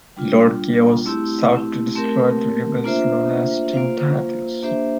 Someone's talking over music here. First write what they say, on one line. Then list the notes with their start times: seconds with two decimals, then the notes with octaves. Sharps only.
Lord Chaos sought to destroy the rebels known as the Team Titans.
0.17 G3 D4 F4
1.06 A3 C4 E4 G4
1.95 A3 C4 G4 A#4
2.84 A#3 D4 F4 C5 E5
3.73 A#3 F4 C5 F5
4.63 A#3 D4 G4 C5 E5